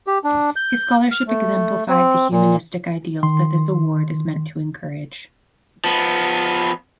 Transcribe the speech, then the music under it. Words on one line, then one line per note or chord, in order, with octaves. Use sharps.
His scholarship exemplified the humanistic ideals that this award is meant to encourage.
G4
D4
G6
F6
A3
C4
A#2
D#3 C6
F3 B3